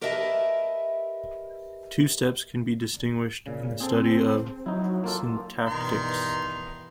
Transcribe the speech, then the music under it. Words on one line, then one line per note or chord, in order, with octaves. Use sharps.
Two steps can be distinguished in the study of syntactics.
G4 A#4 B4 D#5 E5 A5
A#2 C#3
C4 G#4 A4
F#3 D#4 E4
A#3 F4 A4
G2 B2 D#3 E3 A#5 C6